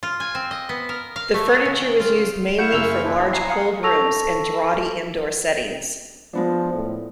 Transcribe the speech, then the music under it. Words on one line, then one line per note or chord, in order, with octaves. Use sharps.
The furniture was used mainly for large cold rooms and draughty indoor settings.
F4
G#5
C4
D#5
B3
A#4
F5
A3
D#4
C#3
G5
F4
E4 F5 F#5 C#6 G6 C#7 E7
F#1 E6 F7
F3 C4 D4 E4
G#5 A#5 C#6 C7
F5 F#5 D#6
A4 A5 C#6 E6 A#6 F7
F3 G#3 B3 D4
A2